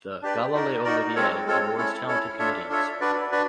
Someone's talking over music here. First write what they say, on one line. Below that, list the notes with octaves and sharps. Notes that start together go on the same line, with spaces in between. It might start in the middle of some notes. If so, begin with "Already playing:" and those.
The "Gala Les Olivier" rewards talented comedians.
D4 G4 B4 D5
D#4 F#4 A#4 D5
D#4 F#4 A#4 D5
G#3 C4 F4 A4 C#5
G#3 C4 F4 A4 C#5
C#4 E4 A4 C#5
C#4 E4 A4 C#5
D4 F4 A4 C#5 E5
D4 F4 A4 C#5 E5
D4 F#4 B4 D5
D4 F#4 B4 D5